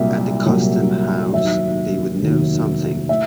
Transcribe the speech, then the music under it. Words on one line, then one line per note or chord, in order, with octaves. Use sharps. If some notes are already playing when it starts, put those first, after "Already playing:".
At the Custom House they would know something.
Already playing: C2 A#2 F#3 E5
C2 A#2 F#3
F1 D#2 D#3 F#3 E5
F1 D#2 D#3 F#3
A2 E5